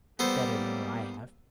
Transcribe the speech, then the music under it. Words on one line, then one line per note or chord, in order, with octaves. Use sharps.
Better nor I have.
G3 A#3 B3 A4 C5